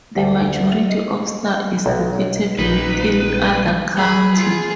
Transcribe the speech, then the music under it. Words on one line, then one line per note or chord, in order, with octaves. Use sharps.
The majority of Star is located within Ada County.
D2
D#5
B1
A#1 A#2 D#3 D#4 B4
G#4 B5
F4 G#4